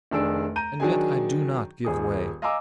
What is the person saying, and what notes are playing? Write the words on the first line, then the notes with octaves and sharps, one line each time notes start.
And yet I do not give way.'
F1 D#3 D4 G#4 E6 D7
A#5 G6 D#7
D#3 F#3 D4 F#4 G#4 G#5
D#1 G#4 D#6
D#5 F5 G#5 A#5 D6 E6